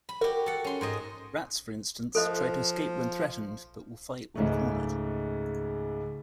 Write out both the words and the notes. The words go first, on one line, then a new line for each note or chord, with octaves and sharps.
Rats, for instance, try to escape when threatened, but will fight when cornered.
B5
F#4 G4 A#4
A4 F#5
C#4 C6
G#2 C5 D#5
F3 A4 C5 D#5
C#2 G#2 A3